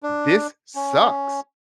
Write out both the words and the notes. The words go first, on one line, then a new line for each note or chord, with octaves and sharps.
"This sucks."
D4
C#4